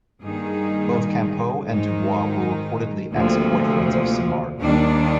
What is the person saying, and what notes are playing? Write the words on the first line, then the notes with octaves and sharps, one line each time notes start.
Both Campeau and Dubois were reportedly ex-boyfriends of Simard.
G2 D#3 A#3 D#4 G#4
G#2 D#3 G#3 D#4
D2 C3 F3 A#3
D#2 D#3 G3 A#3 D4